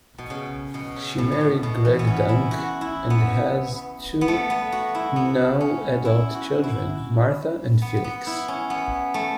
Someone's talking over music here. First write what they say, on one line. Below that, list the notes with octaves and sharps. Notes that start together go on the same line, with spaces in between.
She married Greg Dunk and has two now adult children, Martha and Felix.
B2
C#3
B2
C#3
A2
B2
A2
B2
E3
B3
C#4
E4
F#4
E4
B3
B3
A3
B3
F#4
E4
B3
C#4
E4
F#4
E4
B3
B3
E4
C#4
B3
A3